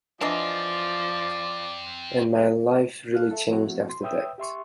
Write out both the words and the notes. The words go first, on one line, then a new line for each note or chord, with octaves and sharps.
And my life really changed after that.
E3 F3 C4 D4 F4 D5 D#5
A4 F5 F6 F#6
A4 E5
F3 A3 B3 C4 E4 F#4
C6
B4 C#5 E5 G5 D#6 E6
G4 E5 C6 C#6